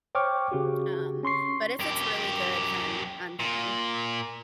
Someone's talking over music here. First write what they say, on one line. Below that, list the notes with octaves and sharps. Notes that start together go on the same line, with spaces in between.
Um, but if it's really good, then I'm down.
C5 C#5 G5 C#6 D6 F6
C#3 F#4 G4
C#4 C6 C#6 C7
F#2 G4
A#2